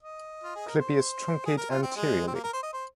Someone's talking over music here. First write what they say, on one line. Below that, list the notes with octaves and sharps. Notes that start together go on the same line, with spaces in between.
Clypeus truncate anteriorly.
D#5
F4
G#4
A#4
C5
G#4
A#4
F4
C4
G#3
C4
A#3
A#4
C5
D#5
C5